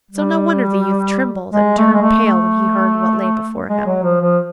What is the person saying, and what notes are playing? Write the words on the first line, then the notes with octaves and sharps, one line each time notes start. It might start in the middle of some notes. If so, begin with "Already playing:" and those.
So no wonder the youth trembled and turned pale when he heard what lay before him.
G3
G#3
A3
G#3
A3
A3
G#3
F#3
F3
F3